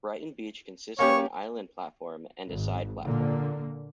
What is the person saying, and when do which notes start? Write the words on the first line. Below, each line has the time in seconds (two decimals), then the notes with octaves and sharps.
Brighton Beach consists of an island platform and a side platform.
0.99 A#3 C#4 G4 C#5
2.48 G#1
3.03 A#2 D3 A#3